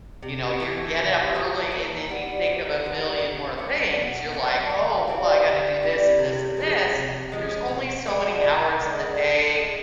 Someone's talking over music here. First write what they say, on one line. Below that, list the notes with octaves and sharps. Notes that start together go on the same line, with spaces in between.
You know, you're getting up early and then you think of a million more things; you're like, "Oh, well, I got to do this and this and this." There's only so many hours in the day
C3
E3 A3
C3
E3 A3
A#2
G3 B3
A#2
G3 B3
B2
F#3 B3 D4
B2
F#3 B3 D4
D3
G3 C4 E4
D3
G3 C4 E4
C3
F3 G#3
C3
F3 G#3
B2
G#3 B3 D4
B2
G#3 B3 D4
A2
F3
G#3